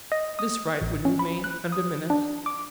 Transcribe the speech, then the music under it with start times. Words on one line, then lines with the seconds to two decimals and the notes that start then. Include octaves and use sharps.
This right would remain undiminished.
0.12 D#5
0.39 D#6
0.81 A1
1.05 C#4
1.19 B5
1.44 F#6
1.72 D#6
2.10 D4
2.46 D6